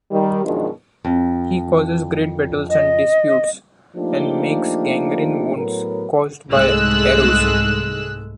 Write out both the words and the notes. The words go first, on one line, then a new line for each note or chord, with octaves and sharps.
He causes great battles and disputes, and makes gangrene wounds caused by arrows.
D#3 G3
F#2 B2 D#3 F3 G#3 D4
F2
D#5
F3 A3 A#3 D4 D#4 G4
A2 F#3 B3 A#4
C2 G#2 G#3 A3 E6 F#6